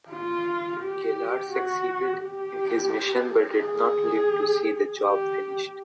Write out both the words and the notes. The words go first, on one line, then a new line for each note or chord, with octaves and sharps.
Gaillard succeeded in his mission, but did not live to see the job finished.
F4
G4
F#4
G4
G#4
G4